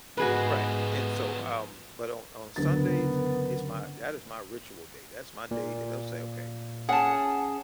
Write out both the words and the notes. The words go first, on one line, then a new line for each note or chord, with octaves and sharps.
Right and so, um, but on on Sundays, it's my that is my ritual day, that's my day that I'll say, "Okay,
G#2 F3 G#3 B3 F#4 G#4 B4
F#1 D2 B3 A#4 A6
A#2
C#4 G#4 F#5 A5